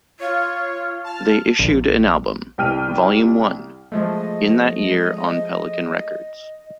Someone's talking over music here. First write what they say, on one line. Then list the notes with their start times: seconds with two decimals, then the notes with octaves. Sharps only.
They issued an album, "Volume One", in that year on Pelican Records.
0.20 F4 C#5
1.04 A5 F6
1.59 A#1
2.58 C2 G5 F6 D#7
3.92 F3 G#3 A3 D#5